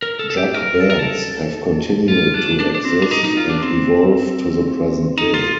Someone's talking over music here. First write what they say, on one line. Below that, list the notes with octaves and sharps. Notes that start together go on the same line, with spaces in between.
Jug bands have continued to exist and evolve to the present day.
A#4
A4
A4
G4
A#4
A4
A#4
A4
F4
D4
D4
D4
C4
D4
D#4
D#4
F4
D4
C4
D#4
F4